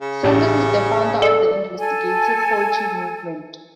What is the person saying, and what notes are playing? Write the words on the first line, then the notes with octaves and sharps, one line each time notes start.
Sanders is the founder of the Investigative Poetry movement.
C#3
A1 A2 G4 A5
A4 D5
A4 G#5